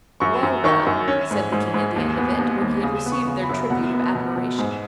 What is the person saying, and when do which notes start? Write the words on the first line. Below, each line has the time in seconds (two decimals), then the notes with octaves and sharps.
"Well, well," said the King at the end of it, when he had received their tribute of admiration.
0.20 F#2 C#6
0.43 F#2
0.64 D#3 C#6
0.87 F#2
1.08 C#4
1.31 G#2
1.52 G#2
1.74 G#2
1.96 D#2
2.18 B3
2.39 D#2
2.62 D#2
2.83 C#3 D#6
3.06 B3
3.12 C#6
3.27 C#3
3.42 B5
3.49 F#2
3.70 B2 F#5
3.93 B3
4.15 B2
4.36 B2
4.58 G#2